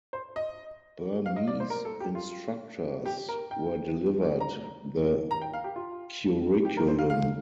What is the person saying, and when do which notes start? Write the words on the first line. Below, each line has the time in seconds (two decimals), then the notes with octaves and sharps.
Burmese instructors were delivered the curriculum.
0.13 C5
0.36 D#5
1.26 F5
1.36 D#5
1.48 D5
1.60 C5
1.70 A#4
1.85 A4
2.00 G4
2.15 F4
3.06 G4
3.29 A#4
3.51 G5
4.40 A#5
5.31 A#5
5.42 G5
5.53 F5
5.64 G4
5.76 F4
6.65 G4
6.77 A#4
6.88 C5
6.99 F5
7.10 F5